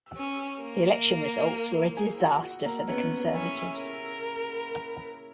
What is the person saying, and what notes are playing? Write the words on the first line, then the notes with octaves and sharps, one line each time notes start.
The election results were a disaster for the Conservatives.
C#4
A#3
G#4 G#5
F#4 F#5
F#4 F#5
A#3 A#4
B3 C#4 C#5
C#4 E4 E5
A#4